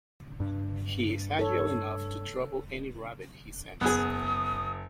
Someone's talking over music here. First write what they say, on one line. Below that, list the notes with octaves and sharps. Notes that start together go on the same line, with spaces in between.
He is agile enough to trouble any rabbit he scents.
G2 D4
A4 C#5
F#1 B3 G#4 D#6